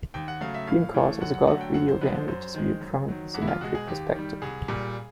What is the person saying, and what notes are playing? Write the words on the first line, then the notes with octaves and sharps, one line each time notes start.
"Dream Course" is a golf video game which is viewed from an isometric perspective.
D#2 G5
F#5
C#3 F#3 A3 F5
E5
A2 F5
E3 A3
F#2 F#5
F#5
D3 F#3 A3 F#5
G5
F#2 F#5
C5
D3 F3 G#3 B4
C5
F#2 C5
D#3 G#3
F#2
D#3 F#3
E2 F#4
E4
F4
B2 G#3 F#4
G#4
D#2 G4
D#3 G3
C2 G#4
A#2 G3